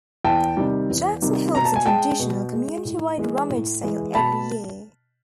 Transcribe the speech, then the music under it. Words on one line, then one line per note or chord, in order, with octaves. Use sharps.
Jackson holds a traditional community wide rummage sale every year.
E2 G5 A5
C3 D#3 G3
E2
C3 D#3 G3
B2 A#5
A5
G#5
G#3 G5 A5
B2
G#3
A2
E3 G#3
A2
E3 G#3
B2 A5 B5